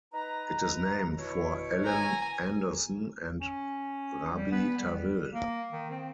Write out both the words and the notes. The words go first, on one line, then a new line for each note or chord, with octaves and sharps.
It is named for Ellen Andersen and Rabi Tawil.
D#4 B4 A#5
B2 E4 C#5
G#5 A#5
C#4
G3
B3
G3
A#3
D#3
C4